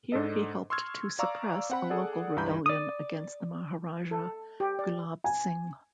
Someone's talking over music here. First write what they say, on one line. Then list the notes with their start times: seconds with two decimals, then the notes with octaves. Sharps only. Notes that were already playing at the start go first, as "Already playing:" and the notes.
Here he helped to suppress a local rebellion against the Maharaja, Gulab Singh.
0.12 G#2 D4 A4 D#5
0.70 C6 C#6 E6 F6 G#6
1.19 D5 F5 A#5 C#6 D6 E6
1.70 C4 F#5 B5
1.90 G#4 A4 D5 F#5
2.36 C#2 G2 E3 A#5 B5 G6
2.66 D5 D#6
4.11 A4
4.60 G4
4.79 D5
5.24 G#5